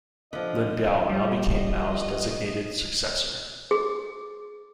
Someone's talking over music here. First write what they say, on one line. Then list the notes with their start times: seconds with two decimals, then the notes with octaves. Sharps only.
Lin Biao now became Mao's designated successor.
0.33 D3 F3 D#5
1.09 G3
3.71 G#4